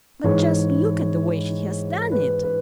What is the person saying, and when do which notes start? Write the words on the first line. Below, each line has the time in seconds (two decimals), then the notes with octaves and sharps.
But just look at the way she has done it!
0.24 G#2 E3 G#3 C#5
2.12 B4
2.43 B4